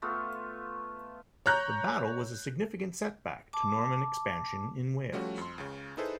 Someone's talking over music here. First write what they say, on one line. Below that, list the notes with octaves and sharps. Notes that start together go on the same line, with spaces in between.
The battle was a significant setback to Norman expansion in Wales.
A3 B3 F4
C#5 A#5 F#6 G6
A5 D6
F3 G3 A3 C#4 F#4
F2 C6
C#2 C#3
D#4 E4 G#4 A4 B4 C5